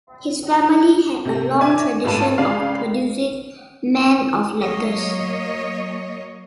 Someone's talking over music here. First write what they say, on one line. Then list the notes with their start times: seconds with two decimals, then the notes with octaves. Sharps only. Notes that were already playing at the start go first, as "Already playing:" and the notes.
His family had a long tradition of producing men of letters.
1.25 C3 A3
1.60 D5 E5 G#5 D6
2.04 G#1 A2 F4 A4 B4 A5
2.38 C#3 D5 F5
4.60 F#3 A#3 C#5 D#5